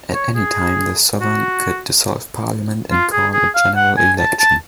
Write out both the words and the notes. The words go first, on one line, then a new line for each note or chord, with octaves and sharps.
At any time the Sovereign could dissolve parliament and call a general election.
C#5
G#4
F#4
F4
G#4
G#4
F5
F#5
G#5
A5
A5